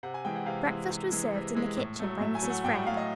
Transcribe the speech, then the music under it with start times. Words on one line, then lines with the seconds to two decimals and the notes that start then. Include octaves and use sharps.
Breakfast was served in the kitchen by Mrs. Freg.
0.03 C3 F#5
0.14 G#5
0.25 E3 G#3 G5
0.36 F#5
0.46 C3 F5
0.68 E3 G#3
0.90 C3
1.12 E3 G#3
1.34 C3
1.55 E3 G#3
1.77 A2
1.99 F#3 A3
2.20 A2 E5
2.35 G#5
2.42 F#3 A3
2.50 F#5
2.64 A2 G5
2.75 F#5
2.86 F#3 A3 F5
2.97 D#5